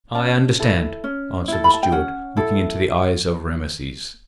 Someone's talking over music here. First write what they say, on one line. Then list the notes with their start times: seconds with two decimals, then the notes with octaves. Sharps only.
"I understand," answered the steward, looking into the eyes of Rameses.
0.15 C#4 A5
0.59 E4 A4
1.04 C#4
1.48 E4 A4
1.64 B5
1.74 A5
1.83 G5
1.92 C#4 F#5
2.37 E4 A4